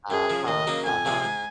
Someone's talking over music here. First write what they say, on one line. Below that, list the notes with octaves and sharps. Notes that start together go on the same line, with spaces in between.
Uh-huh, uh-huh,
F#2 G#4
C#3 F3
D#2 D#5
C#3 F#3 A#3 D#4
F2 G#5
C3 F3 G#3 C4
G#2